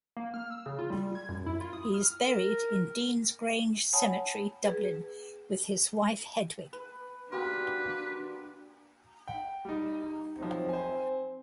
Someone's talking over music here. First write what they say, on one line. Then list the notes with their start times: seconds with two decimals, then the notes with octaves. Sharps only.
He is buried in Deansgrange Cemetery, Dublin with his wife Hedwig.
0.17 A#3
0.34 F6
0.50 E6
0.66 C#3
0.79 F4
0.90 G3
1.15 G#6
1.29 F#2
1.46 E4
1.61 F4
1.73 D#6
1.94 F6
2.27 A#4
3.93 C#5 F#5 G#5 A5 B5 D#6
4.64 G#4 B4
6.73 B4
7.32 A#3 B3 D4 F#4 G4 B4 C6
9.28 F#5 G5
9.65 G3 D#4
10.02 D#4
10.39 F3 F#3 C4 D#4
10.69 C5 G#5